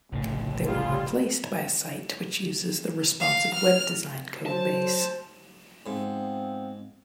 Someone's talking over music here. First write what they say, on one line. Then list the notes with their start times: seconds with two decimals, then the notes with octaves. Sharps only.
They were replaced by a site which uses the Responsive Web Design codebase.
0.12 F1 A#1 A2 C#3
0.66 G3 F4 G#4
3.20 F5
3.55 F6
4.46 F#3 C5 A5
5.86 G#2 F3 B3 C4